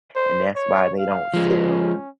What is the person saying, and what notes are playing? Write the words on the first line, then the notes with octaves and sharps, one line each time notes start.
and that's why they don't sell
C5
C#5
F5
F3 G#3
C#4